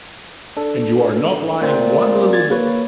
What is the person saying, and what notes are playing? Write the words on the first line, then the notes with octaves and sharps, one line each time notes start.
And you are not lying one little bit.
D4 A4
A#2 A3 C4 C5
G#6 A6
A#3 B4 C#5